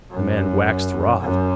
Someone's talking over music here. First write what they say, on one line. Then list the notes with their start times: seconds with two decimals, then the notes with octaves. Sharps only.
The man waxed wroth.
0.11 F#2
1.21 F#2